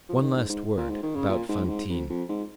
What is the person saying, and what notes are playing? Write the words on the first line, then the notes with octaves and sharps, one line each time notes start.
One last word about Fantine.
F3
D#3
G#2
G#2
A#2
G#2
D#3
C#3
A#2
G#2
F2
G#2
F2
F2
G#2